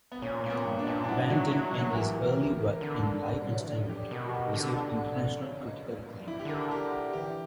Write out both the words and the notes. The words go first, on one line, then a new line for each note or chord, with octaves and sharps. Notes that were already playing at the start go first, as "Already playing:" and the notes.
Van den Ende's early work in live entertainment received international critical acclaim.
B3
A#2 C#4
A#2 A#3
B3
G2
B2 D4
A#2
D4
F#3 E4
F#3 F#4
F#3 E4
F#3 F#4
A#4
E3 G4
A#4
A#4
D3
G3
F#3
E3
D3
G4
B2 A#4
F#4
G4
D3
C#3
B2
A#2
G2
D3 E4
E3 G4
D3 A#4
G4
E3 G4